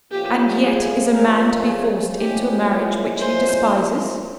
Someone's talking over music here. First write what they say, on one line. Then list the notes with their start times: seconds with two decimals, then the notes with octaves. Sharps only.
And yet is a man to be forced into a marriage which he despises?
0.11 A#2 F3 A3 C#4 F4 G4
0.64 G#4
1.14 A#4
1.65 G#4
2.17 A#2 F3 G#3 C#4 E4 G4
3.19 C5